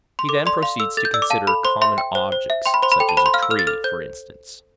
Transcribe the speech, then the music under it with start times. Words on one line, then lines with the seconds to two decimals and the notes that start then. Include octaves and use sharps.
He then proceeds to consider common objects, such as a tree, for instance.
0.19 C6
0.29 A4 D6
0.46 D5 C6
0.63 F5 C6
0.80 A4 E6
0.97 A4 A6
1.05 G6
1.14 D5 E6
1.22 D6
1.30 F5 A5
1.47 A4 B5
1.65 C5 C6
1.81 E5 C6
1.98 G5
2.15 C5
2.32 C5
2.50 E5
2.66 G5 C6
2.74 B5
2.83 C5 C6
2.92 B5
3.00 A4 G5
3.09 A5
3.17 C5 B5
3.26 C6
3.34 F5 F6
3.43 E6
3.51 A4 F6
3.59 A6
3.67 A4 F6
3.84 C5 G6